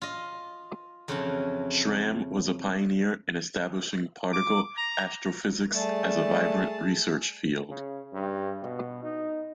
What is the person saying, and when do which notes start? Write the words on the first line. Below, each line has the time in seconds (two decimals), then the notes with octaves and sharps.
Schramm was a pioneer in establishing particle astrophysics as a vibrant research field.
0.02 F4 D#5
1.08 F2 C#3 E3 C#4 F#4 A5
4.33 D6
4.77 A#5
5.74 G3 A3 G#4 A5
7.70 C#3
8.13 G2
8.63 B2
9.03 D#4